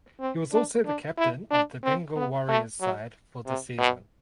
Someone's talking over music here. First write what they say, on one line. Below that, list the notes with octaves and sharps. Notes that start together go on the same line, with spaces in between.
He was also the captain of the Bengal Warriors side for the season.
C4
D4
D4
E4
D4
C4
B3
A3
F#3
C3
B2